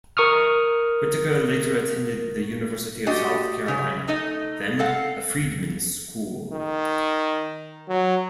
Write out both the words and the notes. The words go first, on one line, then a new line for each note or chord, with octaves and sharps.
Whittaker later attended the University of South Carolina, then a freedmen's school.
A#4 C#6 D#6 F6
D4 F#4 G4 D#5
A2 C#3 G3
A3 D#4 A4 D#5
C4 A4 F5 F#5
D#3
F#3